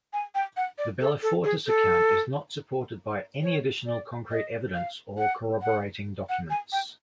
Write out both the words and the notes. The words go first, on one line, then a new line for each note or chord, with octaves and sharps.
The "Bellifortis" account is not supported by any additional concrete evidence or corroborating documents.
G#5
G5
F#5
D5
A4
A4
G#4
A4
C#5
D5
D#5
F5
F#5
F#5
F#5
G#5
G5